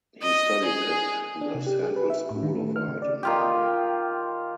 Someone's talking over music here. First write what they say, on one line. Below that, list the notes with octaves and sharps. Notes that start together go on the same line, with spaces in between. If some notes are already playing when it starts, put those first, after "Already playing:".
He studied at the Central School of Art in London.
D#5
G#4
D4
C3
G4
G#4
B4
E5
A2
D#3
A3
F6
C#3
D5
D#3 F4 G4